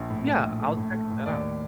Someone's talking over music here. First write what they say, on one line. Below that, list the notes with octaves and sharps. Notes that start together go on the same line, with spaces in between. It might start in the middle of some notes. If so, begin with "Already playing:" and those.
Yeah. I'll check that out.
Already playing: A#1
A2
A2
A#1
A3
A2
A3
A2
D#2 D5